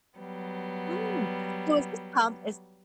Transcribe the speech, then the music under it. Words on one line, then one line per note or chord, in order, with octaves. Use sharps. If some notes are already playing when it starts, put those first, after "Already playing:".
Mm! So is this com is
F#3 G3 B3